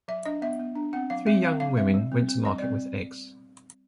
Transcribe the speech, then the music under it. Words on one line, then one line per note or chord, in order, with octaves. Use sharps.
Three young women went to market with eggs.
F#3 E5
D4 D#5
B3 E5
B3
D4
C4 F#5
F#3 F5
C4 E5
C4 F5
F#3 F5
C4 E5
G3
C4
C4
G3 D#5
D5
C4